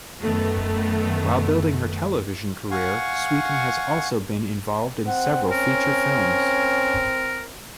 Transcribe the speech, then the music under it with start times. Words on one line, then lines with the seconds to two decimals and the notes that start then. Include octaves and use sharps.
While building her television career, Sweeten has also been involved in several feature films.
0.21 F#2 D#3 A3 B3
2.71 F5 F#5 G#5 C#6
5.07 C4 F#5
5.51 C#4 A#4